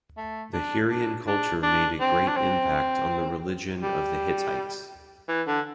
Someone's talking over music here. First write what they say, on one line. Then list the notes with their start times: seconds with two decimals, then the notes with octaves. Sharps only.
The Hurrian culture made a great impact on the religion of the Hittites.
0.17 A3
0.53 D4
0.90 D4
1.28 D4
1.63 D4
2.00 C4
2.28 D4
2.36 C4
3.83 G3
5.28 E3
5.47 D3